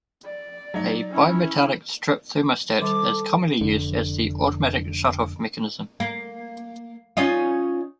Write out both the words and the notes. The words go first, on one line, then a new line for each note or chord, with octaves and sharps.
A bimetallic strip thermostat is commonly used as the automatic shut-off mechanism.
D5
F#3 D#4
C#4 E4
D#3 G3 A4 D6
F1 D3
A#3
C#4 D#4 F4